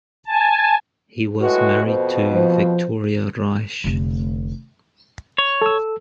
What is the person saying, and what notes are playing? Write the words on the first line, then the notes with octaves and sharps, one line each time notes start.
He was married to Victoria Reich.
G#5 A5
A2 G#3 F#4 B4
F2 B2 C5
F3 C5
F1 D3
C#5
A4 E6